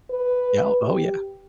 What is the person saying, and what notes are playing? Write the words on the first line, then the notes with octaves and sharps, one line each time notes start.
Yeah, oh yeah.
B4
G4